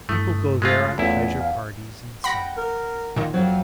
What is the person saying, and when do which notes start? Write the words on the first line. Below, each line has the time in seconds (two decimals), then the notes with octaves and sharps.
People go there on pleasure parties in summer.
0.09 G2 A3 E4 D#6
0.62 G#3 A3 F4
0.98 E2 A3 C#4 E4 F4
1.41 F5
2.24 F#5 G5 B5 A#6
2.57 A#4
3.16 A#2 D#3
3.34 F2 F#3 C4